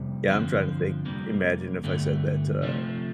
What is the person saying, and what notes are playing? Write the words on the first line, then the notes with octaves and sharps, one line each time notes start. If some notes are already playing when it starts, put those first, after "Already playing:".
Yeah, I'm trying to think imagine if I said that to, uh,
Already playing: F2 C3 G3
G2 D3 F3 C4
F2 C3 G3 A#3
G2 D3 A3
C3 F3 A3